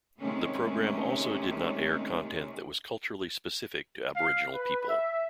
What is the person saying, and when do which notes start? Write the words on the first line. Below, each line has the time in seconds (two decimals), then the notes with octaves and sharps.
The program also did not air content that was culturally specific to aboriginal people.
0.18 C3 D#3 G#3 A3 C#4
4.16 F5
4.53 B4
4.88 E5